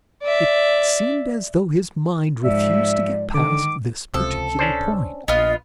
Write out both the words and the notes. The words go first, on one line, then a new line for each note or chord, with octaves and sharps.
It seemed as though his mind refused to get past this particular point.
D5 E5
G#2 F3 D5 E5
D3 D#3 D6
C#2 C3 F3 A4
C#4 D4 C5
A#1 B3 F4 D#5